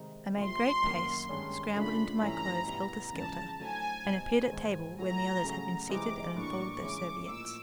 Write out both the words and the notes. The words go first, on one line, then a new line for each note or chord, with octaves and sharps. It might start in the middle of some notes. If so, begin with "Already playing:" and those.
I made great pace, scrambled into my clothes helter-skelter, and appeared at table when the others had been seated and unfolded their serviettes.
Already playing: C3 D#3 G#3 C4 D#4
F2 C3 F3 A3 C4 C6
F#2 D#3 F#3 A#3
G2 D#3 G#3 C#4
C#3 F3 A3 D4 B5
G2 E3 A3 C#4 E4 A#5
B2 G3 B3 E4
F2 C#3 E3 G#3 A5
D3 F#3 A3 C4 E4 G#5
B2 G3 C4 D#4
G#2 D#3 G#3 C4 D#4
A#2 F#3 A3 A#5
C#3 F#3 A3
C3 E3 G#3 C4 D#4 D6
A2 E3 G3 A#3 D4 C#6
C#3 E3 G#3 C#4 E4 D6
A2 F3 A#3 D#4 E6